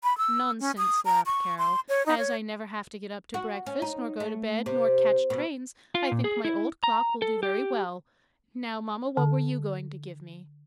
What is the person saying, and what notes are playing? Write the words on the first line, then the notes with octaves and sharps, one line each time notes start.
"Nonsense," laughed Carol; "as I never have to get up to breakfast, nor go to bed, nor catch trains, I think my old clock will do very well! Now, Mama, what were you going to give me?"
B5
E6
C#4
D#6
A#5
C#6
C6
C#5
D#4
C#5
F#4
C#4
D#4
A3
C3
B2
F4
A#2
G#4
E4
A#5
A4
G4
D3